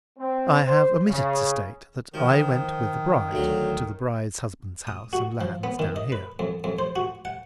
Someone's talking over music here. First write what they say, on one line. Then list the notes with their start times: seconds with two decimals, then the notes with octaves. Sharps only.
I have omitted to state that I went with the bride to the bride's husband's house and lands down here.
0.19 C4
0.66 C5
1.07 C#3
2.14 D#3 F3
3.31 D2 F#3
4.87 D#6
5.13 F#4
5.41 F3
5.64 B3
5.79 D#3
5.96 D#5
6.12 B4
6.39 F2
6.64 F2
6.79 C5
6.96 F#4
7.25 F#5